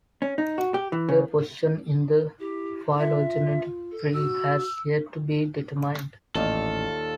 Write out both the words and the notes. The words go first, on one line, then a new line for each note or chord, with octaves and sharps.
Their position in the phylogenetic tree has yet to be determined.
C#4
D#4
F#4
G4
E3
C#3
E4 G4
F4 E5
A4
F#4 E6
A1 D#2 A#2 A4 F5